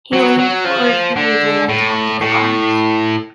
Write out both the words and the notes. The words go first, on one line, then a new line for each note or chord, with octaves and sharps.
He leaned forward hurriedly and tapped at the glass.
F#3
F#3
F3
D3
A2
A2